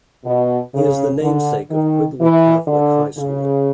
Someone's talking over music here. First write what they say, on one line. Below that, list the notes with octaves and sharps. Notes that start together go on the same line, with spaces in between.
He is the namesake of Quigley Catholic High School.
B2
C#3
D3
D#3
E3
D3
C#3